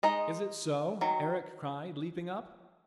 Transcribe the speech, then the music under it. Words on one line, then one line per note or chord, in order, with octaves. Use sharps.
"Is it so?" Eric cried, leaping up.
G#3 D#4 D#5
D#3 F#3